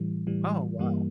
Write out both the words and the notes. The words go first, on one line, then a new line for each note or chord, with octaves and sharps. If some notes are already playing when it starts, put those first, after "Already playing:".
Oh, wow.
Already playing: A2 E3 G3
A2 E3 G3
G2 E3 G3 A#3